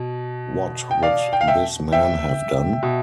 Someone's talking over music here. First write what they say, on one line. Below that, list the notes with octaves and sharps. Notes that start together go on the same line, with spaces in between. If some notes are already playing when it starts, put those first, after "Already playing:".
What would this man have done?
Already playing: B2
G5
D5 F5
G5
F5
E5 G5
E5 G5
B2